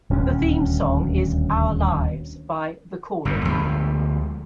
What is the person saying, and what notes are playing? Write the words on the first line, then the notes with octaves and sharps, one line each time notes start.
The theme song is "Our Lives" by The Calling.
D#1 D2 A#3 C#4
G1 F#2 D3
D2 F3 G#3